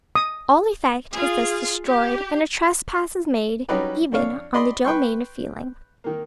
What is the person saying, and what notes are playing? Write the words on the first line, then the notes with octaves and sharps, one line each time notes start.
All effect is thus destroyed, and a trespass is made even on the domain of feeling.
D#6
F4 G#4
G4
F#3 G3 C#4 D#4 B4 D5
F2 D4 C#5 F5
D5 D#5 B5 C6
B4 G5 C6 C#6
D#3 A#3